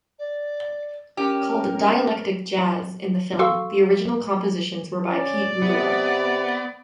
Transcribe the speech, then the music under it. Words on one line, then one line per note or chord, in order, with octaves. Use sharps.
Called "dialectic jazz" in the film, the original compositions were by Pete Rugolo.
D5
C#4 G4 A#4
F#4 A4 F5 C6 C#6 E6
C#4 D5
C3 B3